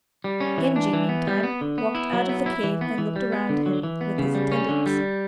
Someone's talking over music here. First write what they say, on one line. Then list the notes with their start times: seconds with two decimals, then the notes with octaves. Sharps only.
Genji, meantime, walked out of the cave and looked around him with his attendants.
0.24 G3
0.40 C#4
0.58 E3
0.76 D4
0.93 E3
1.09 B3
1.27 G3
1.43 B3
1.61 D3
1.78 B3
1.95 E4
2.13 F#3
2.29 B3
2.46 E4
2.64 E3
2.81 B3
2.98 E3
3.16 G3
3.32 B3
3.49 D3
3.66 F#3
3.83 E3
4.01 B3
4.18 C#3
4.35 G3
4.52 C#4
4.69 D3
4.86 G3